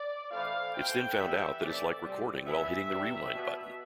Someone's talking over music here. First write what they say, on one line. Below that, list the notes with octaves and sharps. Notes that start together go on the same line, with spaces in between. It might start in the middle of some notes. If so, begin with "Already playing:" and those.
It's then found out that it's like recording while hitting the rewind button.
Already playing: D5
A2 E3 A3 C4 F5
B2 A3 C4 G5
E3 G3 B3 E5
A2 E3 A3 C4 D5
C3 G3 C4
A2 E3 B3 E5
C3 E3 G3
B2 B3